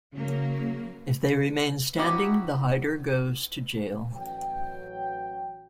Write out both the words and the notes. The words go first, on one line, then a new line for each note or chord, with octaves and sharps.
If they remain standing, the hider goes to jail.
C#3 F#3 A#3
D#4 E4 F#4 G4
A1 F#3 G5